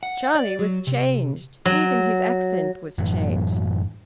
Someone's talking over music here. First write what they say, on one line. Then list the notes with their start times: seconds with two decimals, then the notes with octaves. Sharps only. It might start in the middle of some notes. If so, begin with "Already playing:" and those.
Charlie was changed; even his accent was changed.
0.03 F#5
0.35 D5
0.59 F#3
0.87 C3
1.65 F#3
2.98 F#2 A2 E3 F#3